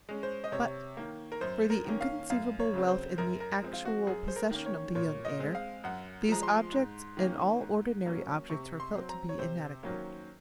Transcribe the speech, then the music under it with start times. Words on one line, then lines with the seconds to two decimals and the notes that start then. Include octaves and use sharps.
But, for the inconceivable wealth in the actual possession of the young heir, these objects and all ordinary objects were felt to be inadequate.
0.09 G#3 C#4
0.23 C5
0.44 D#5
0.52 C3 C#5
0.97 D#3 A#3
1.32 A#4
1.41 F#2 C5
1.70 A#4
1.85 D#3 A#3 C#4
2.01 F5
2.30 F#2 F5
2.60 C#5
2.74 C#3 F#3 C4
2.88 C5
3.18 F#2 A#4
3.40 A#4
3.62 F3 G#3 C4
3.73 F4
3.85 F#4
4.07 F#2 G#4
4.28 C5
4.36 A#4
4.51 D#3 A#3 C#4
4.66 C#5
4.95 A#2 C#5
5.25 D#5
5.39 G#3 C4
5.55 F5
5.84 F#2 F#5
6.29 F3 G#3 A#5
6.43 C6
6.72 G#2
7.17 D#3 A#3 C#4
7.61 G#2
8.06 F#3 A#3 C#4
8.50 C3 C#6
8.80 C6
8.94 F#3 C4
9.09 A#5
9.29 C#5
9.39 C3 C5
9.83 D#3 F#3 A#3 C#4